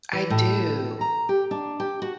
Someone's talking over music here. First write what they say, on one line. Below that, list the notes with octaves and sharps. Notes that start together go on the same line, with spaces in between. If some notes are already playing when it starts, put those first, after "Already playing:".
I do.
E3
A2
A#5
G4
D4
G4
F#4